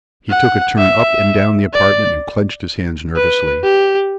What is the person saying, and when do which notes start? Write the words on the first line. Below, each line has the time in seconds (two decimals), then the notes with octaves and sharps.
He took a turn up and down the apartment and clenched his hands nervously.
0.30 F#5
0.78 E5
1.73 D5
3.16 B4
3.63 G4